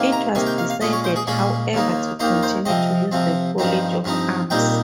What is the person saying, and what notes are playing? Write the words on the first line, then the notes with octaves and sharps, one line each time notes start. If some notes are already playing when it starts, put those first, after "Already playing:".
It was decided however to continue to use the College of Arms.
Already playing: C3 D#3 A#3
A#5
C3 D#3 A#3 G#5
G5
F5
F5
A#2 G#3 C#4 D#5
C#5
C5
G#4
A#2 G#3 C#4 G#4
D#2 D#3 A#3 D#4
D#2 D#3 A#3 D#4 C5
C5
C3 F3 C4 D#5
C3 F3 C4
G2 F3 C4 D#4
G2 F3 C4 D#4
C2 A#2 G3 C4 D#4 G5